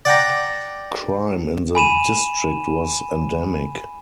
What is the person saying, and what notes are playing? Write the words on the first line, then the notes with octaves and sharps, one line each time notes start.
Crime in the district was endemic.
D5 F#5 G5 A#5
G#5 B5 D#7 E7